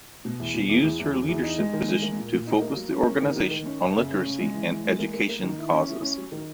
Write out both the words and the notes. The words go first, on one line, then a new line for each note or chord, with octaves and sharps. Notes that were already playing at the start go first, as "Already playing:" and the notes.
She used her leadership position to focus the organization on literacy and education causes.
B2
E2
B2
E2
E2
E2
F#3
E2
D#4
G#3
D#3
G#3
A#3
A#2
A#2
D#4
A#3
F#3
C#4
A#3
D#3
D#3
D#3
C#4
F#2
C#3
C#4
C#3
G#3
E3
E3
G#3
A#3
A#3
A#3
D#3
E4
C#4
E4
C#4
F#3
D#3